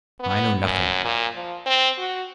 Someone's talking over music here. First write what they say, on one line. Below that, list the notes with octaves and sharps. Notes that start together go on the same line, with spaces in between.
"I know nothing."
B3
F#2
A#2
F3
C4
F#4